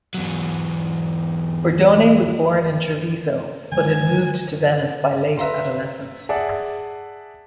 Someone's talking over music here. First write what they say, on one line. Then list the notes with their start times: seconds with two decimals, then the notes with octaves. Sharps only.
Bordone was born in Treviso, but had moved to Venice by late adolescence.
0.14 E2 F#3
3.72 D3 F#3 G#3 G#5
5.38 B4 E5 F5 A#5 C6
6.29 G#4 D5 E5 F#5 A5